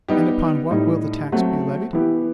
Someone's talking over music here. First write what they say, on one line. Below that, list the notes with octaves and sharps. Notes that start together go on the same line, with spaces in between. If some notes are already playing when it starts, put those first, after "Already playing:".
And upon what will the tax be levied?
G3 B3 D#4 G4
A2 G3 D#4
F#3 A3 C4 F#4
E3 B3 E4 G4